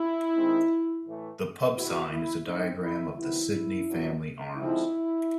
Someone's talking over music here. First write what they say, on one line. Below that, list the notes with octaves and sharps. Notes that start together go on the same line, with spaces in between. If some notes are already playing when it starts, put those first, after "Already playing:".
The pub sign is a diagram of the Sydney family arms.
Already playing: E4
D#3 G#3 C4 D#4
A2 E3 A3
E2 C3 E3 E4 F#4
E4
G#2 E3 A3 C4 D#4
E4
C3 D#3 F#3 B3 E4
A#2 F#3 B3 D4
D3 F3 G#3 C4 D#4 E4